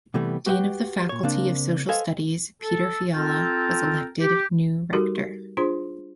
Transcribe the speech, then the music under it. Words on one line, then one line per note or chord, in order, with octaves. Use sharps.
Dean of the Faculty of Social Studies Petr Fiala was elected new Rector.
C3 E3 G3 A3 B3
F#4 G4 B4 D#5 F#5 G5
A#2 C#5
C#3 A#3 C4 D4
A4 B4 C5 D#5 F5 G#5
A4
C4 F4 A4 A#4 G5 A5
G4
G3 D#4 F#4 G4 A4 A#4
D4 F4 G#4 C5 C6